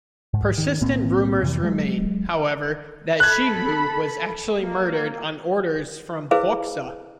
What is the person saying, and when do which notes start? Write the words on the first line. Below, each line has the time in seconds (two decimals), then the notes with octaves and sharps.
Persistent rumors remain, however, that Shehu was actually murdered on orders from Hoxha.
0.34 G#2
0.58 D#3
0.81 B1 A2 A#3 C4
1.41 F2 C3 E3
1.63 F#3 G#3
3.20 A4 B5 F#6 G#6
4.61 A#3
6.31 E4 G#4 B4 C5 F5